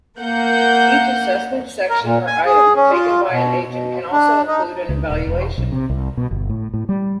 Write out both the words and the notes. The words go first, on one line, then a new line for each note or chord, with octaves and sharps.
Each Assessment, Section, or Item taken by an Agent can also include an "Evaluation".
A#3 F#5 G6
A#4
A#2
G#5
G#4
C#4
F4
B2
B2
D4
D#4
C#2
D#1
E1
B1
C3
C2
B2
G1
A2
A2
G3